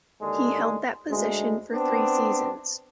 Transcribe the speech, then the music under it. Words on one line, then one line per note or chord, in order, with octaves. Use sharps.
He held that position for three seasons.
D#2 D3 G#3
D2 G#3
B3 C4 D4